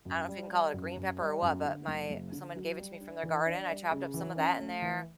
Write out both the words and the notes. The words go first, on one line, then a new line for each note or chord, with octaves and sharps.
I don't if you can call it a green pepper or what, but my someone gave it to me from their garden. I chopped up some of that in there
F#2
G3
G3
F#2
F#2
G3
F#2
D3
F#1
F#1
D3
F#3
G3
D4
E3
D4
G3
C#3
E3
C#4
A3
E3